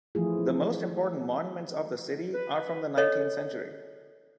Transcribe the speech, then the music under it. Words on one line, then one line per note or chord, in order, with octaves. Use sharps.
The most important monuments of the city are from the nineteenth century.
E3 F3 A3 E4 F4 G#4
B4
A4 C#5 D#5